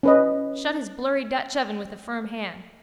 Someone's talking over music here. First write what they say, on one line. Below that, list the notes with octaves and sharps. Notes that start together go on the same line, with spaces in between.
Shut his blurry Dutch oven with a firm hand.
C#4 B4 D#5